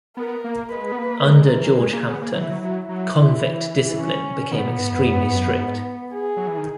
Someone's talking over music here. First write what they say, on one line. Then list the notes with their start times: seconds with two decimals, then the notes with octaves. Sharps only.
Under George Hampton, convict discipline became extremely strict.
0.17 B3 A#4
0.44 A#3
0.72 G#3 B4
0.92 B3
0.98 A#3
1.26 G#3 A#4
1.53 E3
1.80 G#3 G#4
1.93 A#3
2.07 B3
2.21 A#3
2.34 F#3 E4
2.42 E3
2.50 F#3
2.62 F#3
2.88 F#3 E4
3.15 E3
3.97 C#4
4.51 D#3 B3
4.65 A#2
4.78 G#2
4.92 F#2
5.05 F#2
5.22 G#2
5.32 F#2
5.54 F#2
5.60 G#2
6.13 G#4
6.37 F#3
6.47 E3
6.57 D#3